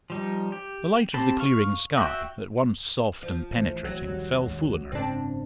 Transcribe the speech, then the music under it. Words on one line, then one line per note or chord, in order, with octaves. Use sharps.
The light of the clearing sky, at once soft and penetrating, fell full on her.
F3 G3 D#4
G4
C4 G4 A5 B5
F5 C#6
F#4 E5 G5
F3
A#1 E3 A3
F#3
A#1 D#2 G3
A#1 D#2 G#3
F#1 G#2 C#3 C4 D4